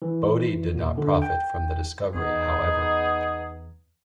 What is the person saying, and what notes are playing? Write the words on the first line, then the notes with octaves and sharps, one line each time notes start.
Bodey did not profit from the discovery however.
E3
A#2
D3
G5
E2 B3 D#4 G#4